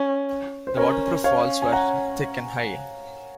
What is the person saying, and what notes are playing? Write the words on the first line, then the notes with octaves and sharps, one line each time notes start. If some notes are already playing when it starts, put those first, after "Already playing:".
The waterproof walls were thick and high.
Already playing: C#4
C5
C#4 A#4 C#5
C#4 C#5 F5
G#5
F#5 A#5